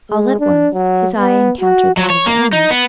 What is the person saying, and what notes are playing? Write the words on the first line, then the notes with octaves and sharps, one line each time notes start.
All at once his eye encountered that of Anna.
G#3
D4
F#3
B3
F#4
F#3
C#5
A#3
D#4
B3